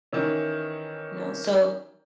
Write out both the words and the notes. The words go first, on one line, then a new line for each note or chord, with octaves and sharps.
you know? So
D#3 E3 C#4